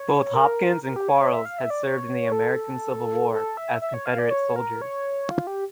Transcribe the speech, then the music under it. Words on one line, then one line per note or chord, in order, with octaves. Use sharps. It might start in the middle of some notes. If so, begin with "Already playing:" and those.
Both Hopkins and Quarles had served in the American Civil War as Confederate soldiers.
Already playing: C#5
A#4
A#4
G4
C#5
C#5
E5
F5
E5
D5
C#5
A4
A4
E5
E5
C#5
F5
D5
C#5
A#4
C#5
F4
G4